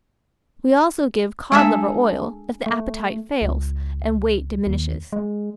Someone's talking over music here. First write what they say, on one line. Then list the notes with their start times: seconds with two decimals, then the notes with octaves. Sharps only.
We also give cod-liver oil, if the appetite fails and weight diminishes.
1.52 G#3 D4 G#4 A4 E5
2.66 A3
3.42 C#2
4.67 D#2
5.13 G#3